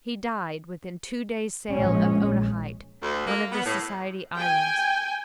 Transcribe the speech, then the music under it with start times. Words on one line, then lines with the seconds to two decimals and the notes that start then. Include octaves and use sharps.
He died within two days' sail of Otaheite, one of the Society Islands.
1.73 A#1 G#3 C#4
3.01 D2
3.26 A#3
3.51 B3
3.64 A2
4.35 G5 G#5